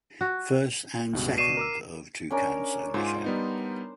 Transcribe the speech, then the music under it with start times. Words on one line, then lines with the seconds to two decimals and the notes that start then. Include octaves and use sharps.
First and second of two counts only shown.
0.21 F#4
1.13 C#2 G2 B2
1.38 B2 D5 C#6 C7 D#7 E7
1.57 A#4 D6 E6
2.30 C#4 D4 A#4
2.94 G#2 F4 C5
3.24 G3 B3 D#4